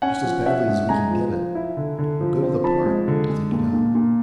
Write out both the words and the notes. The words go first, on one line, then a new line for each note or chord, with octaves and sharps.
Just as badly as we can get it. We'll go to the Park to think it out.'
C#4 F#5 G#5
F3
C#4 E5 F#5
G#3
G#3 G#5 A#5
F3
F3
E4
D3
D3
F3
C4
F3 A5 B5
G#3
D3
G#3
A#2
A#2
A#2